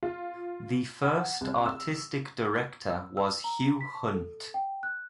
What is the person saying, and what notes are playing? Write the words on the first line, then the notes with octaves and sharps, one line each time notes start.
The first artistic director was Hugh Hunt.
F4
F#5
C2
E6
E6
E6
A#5
B6
A5
A4
G5
F#6